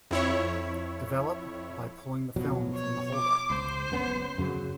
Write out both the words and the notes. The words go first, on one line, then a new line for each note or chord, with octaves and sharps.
Develop by pulling the film from the holder.
F2 E4 C#5
B2 F3 F#3
C#5
D6
C#2 C5
F#1 B3 C#4
F#2 C#3 F#3